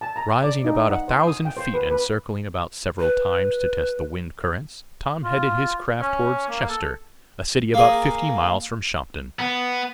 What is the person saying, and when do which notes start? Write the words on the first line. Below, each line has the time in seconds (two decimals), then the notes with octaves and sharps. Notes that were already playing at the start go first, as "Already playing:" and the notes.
Rising about a thousand feet, and circling about several times to test the wind currents, Tom headed his craft toward Chester, a city about fifty miles from Shopton.
0.01 A5
0.16 A#5
0.43 D5
0.65 D#4
0.90 F#5
1.08 C5
1.27 D#6
1.45 G5
1.57 C5
1.74 B4
1.90 B4
3.00 B4
5.24 F4
6.01 C#4
6.49 A#3
6.69 A4
7.74 A#3 G#4
9.39 B3